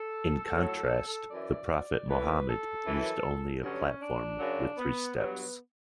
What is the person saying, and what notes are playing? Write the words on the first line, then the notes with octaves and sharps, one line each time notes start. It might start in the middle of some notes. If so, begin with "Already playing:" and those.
In contrast, the prophet Muhammed used only a platform with three steps.
Already playing: A4
A2 F#3
F#2 E3 D5
A2 E3 B4
A4
F#2 E3
G2 D3 F#3 C#4
D4
F#2 C#3 F#3
B3
G2 F#3 B3